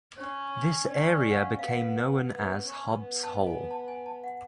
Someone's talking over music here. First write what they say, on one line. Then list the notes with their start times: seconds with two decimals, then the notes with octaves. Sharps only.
This area became known as "Hobbs Hole".
0.17 C#4 C#5
0.88 C#4 D5
1.11 D5
1.31 F#5
1.35 F5
1.59 B3 F5
1.68 F#5
1.77 F5
2.29 B3
2.65 C#4
2.99 B3
3.23 A5
3.47 G#5
3.71 A5
3.88 G#5
4.06 A5
4.24 F#5